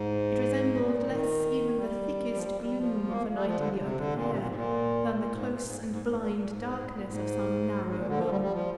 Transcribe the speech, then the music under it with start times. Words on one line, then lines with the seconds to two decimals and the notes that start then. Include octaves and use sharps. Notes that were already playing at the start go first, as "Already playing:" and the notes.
It resembled less even the thickest gloom of a night in the open air than the close and blind darkness of some narrow room.
Already playing: G#2
0.75 A#2
1.09 D#3
1.76 G3
2.35 F3
2.44 G3
2.61 G3
2.78 F3
3.11 A#3
3.34 G3
3.45 F3
3.57 D3
3.79 C3
3.96 D3
4.13 A#2
4.29 C3
4.39 A#2
4.47 G#2
4.55 A#2
5.15 A#2
5.30 G#2
5.48 A#2
5.62 G#2
5.90 G#2
6.06 G#2
6.16 A#2
6.37 A#2
6.49 G#2
6.83 A#2
6.94 A#2
7.06 G#2
7.85 G#2
7.95 A#2
8.07 D3
8.18 F3
8.30 G3
8.41 G3
8.53 F3